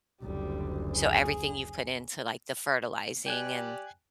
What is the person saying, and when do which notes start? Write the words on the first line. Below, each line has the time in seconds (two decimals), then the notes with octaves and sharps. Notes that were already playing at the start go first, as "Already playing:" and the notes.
So, everything you've put into, like, the fertilizing and,
0.22 F#1 D2 G3
0.95 G#4
3.26 G4 D5 G5 G#5 F#6